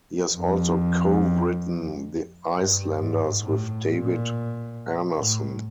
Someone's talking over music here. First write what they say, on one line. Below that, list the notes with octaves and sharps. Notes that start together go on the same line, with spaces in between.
He has also co-written "The Icelanders" with David Arnason.
F2
G2
G#2
A2
A#2
A2